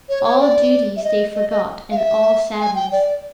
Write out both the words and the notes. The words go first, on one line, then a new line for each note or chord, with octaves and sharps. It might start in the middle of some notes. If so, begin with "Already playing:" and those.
All duties they forgot, and all sadness.
C#5
C#5
D5
E5
D#5
D#5
D#5
F5
E5
G#5
G5
D5